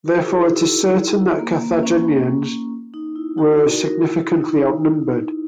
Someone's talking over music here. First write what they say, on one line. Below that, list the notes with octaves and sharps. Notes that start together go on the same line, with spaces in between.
Therefore, it is certain that Carthaginians were significantly outnumbered.
F#4 A#4
E4 G#4
D#4 F#4
E4
A#3
A#3
C#4
D#4
E4
D#4 F#4
F#4 A#4
F#4 A#4
E4
D#4
D#4